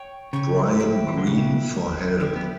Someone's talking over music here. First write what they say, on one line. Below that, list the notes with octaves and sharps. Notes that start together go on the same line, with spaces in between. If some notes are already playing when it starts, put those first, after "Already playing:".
Brian Green for help.
Already playing: C#5 G5 C#6
C#3 C#5 G5 C#6
G4 B4 E5
E3
D3
C#3 G4 B4 E5
G4 B4 E5
D3 G4 B4 E5
B3